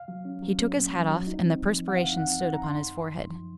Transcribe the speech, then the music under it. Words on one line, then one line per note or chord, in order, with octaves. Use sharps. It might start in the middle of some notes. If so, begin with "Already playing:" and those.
He took his hat off, and the perspiration stood upon his forehead.
Already playing: C2 F5
F#3
C#4
F#3
C#4
A#2
F#3
F#3
D#4
C4
F3
F3
F#5
F#2 F5
D#4 F#5
C4
F#5
D#4
A#5
F#2 C6
F#2
F#2
F#2
F3